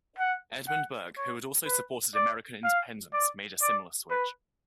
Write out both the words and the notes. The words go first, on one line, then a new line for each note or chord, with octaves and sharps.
Edmund Burke, who had also supported American Independence, made a similar switch.
F#5
F#5
C#5
B4
D5
F5
D5
D5
B4